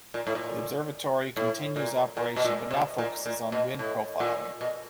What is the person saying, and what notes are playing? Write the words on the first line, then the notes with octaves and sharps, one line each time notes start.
The observatory continues operation, but now focuses on wind profiling.
A#2
A2
A#2
A2
A#2
A#2
B2
A#2
C3
A#2
A#2
B2
A2
A#2
B2